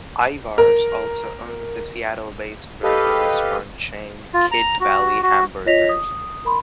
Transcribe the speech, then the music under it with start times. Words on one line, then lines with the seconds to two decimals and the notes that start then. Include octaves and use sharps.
Ivar's also owns the Seattle-based burger restaurant chain Kidd Valley Hamburgers.
0.58 A#4
2.83 G4 A4 B4 D#5 F5
4.34 F4
4.51 A#5
4.80 F#4
5.22 F#4
5.66 F4 C#5 D#5 A#6 B6 F7
5.89 D#6
6.45 A#4 B5 C6